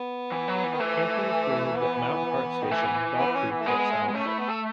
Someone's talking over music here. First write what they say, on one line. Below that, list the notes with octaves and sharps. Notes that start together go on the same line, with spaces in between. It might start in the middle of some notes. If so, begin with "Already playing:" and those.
Camping is permitted at Mount Hart Station, Bell Creek or at Silent Grove.
Already playing: B3
E3
F#3
E3
D#3
E3 A3
B3
D#3
E3 A3
B3
B3
C#4
B3
A3
G#3 B3
B3
A3
B3
G#3
A3 C#4
E4
B3
A4